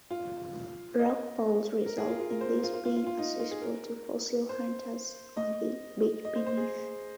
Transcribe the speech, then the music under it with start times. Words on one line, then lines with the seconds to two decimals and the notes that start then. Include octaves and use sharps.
Rockfalls result in these being accessible to fossil hunters on the beach beneath.
0.11 F4
0.99 D#5
1.86 A#4
1.98 G#4
2.08 F4
2.19 F4
2.30 A#4
2.41 C5
2.63 F4
2.74 F4
2.85 F4
2.96 F4
3.06 F4
3.18 D#4
3.40 F4
3.51 G#4
3.62 A#4
4.49 C5
5.37 D#5
6.25 D#5
6.36 C5
6.46 C5
6.57 G#4